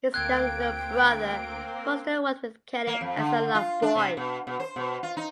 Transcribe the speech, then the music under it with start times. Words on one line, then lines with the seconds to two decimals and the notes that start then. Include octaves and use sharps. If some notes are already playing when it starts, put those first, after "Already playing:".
His younger brother, Buster, worked with Kelley as a lot boy.
0.14 D2 A#3 C4 G5 F#6 G#6 D7
2.87 A#3
3.01 F2
3.17 D3
3.55 F4
3.82 D4
3.95 C3
4.17 B2
4.47 B2
4.60 C5
4.76 B2
5.03 F4
5.17 D#4